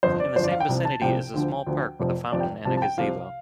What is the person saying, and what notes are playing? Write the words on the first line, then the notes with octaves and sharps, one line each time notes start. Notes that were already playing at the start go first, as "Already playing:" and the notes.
In the same vicinity is a small park with a fountain and a gazebo.
G1 F2 F3 C5
D5
G1 F2 F3 C5
D5
F5
G5
C2 C3 F3
A5
C2 C3 F3 G5
D2 D3 F3
D2 D3 F3
F1 F2 C3 F3
F1 F2 C3 F3 D5
G5
C2 C3 F3 A5
A5
G5
C2 C3 F3 F5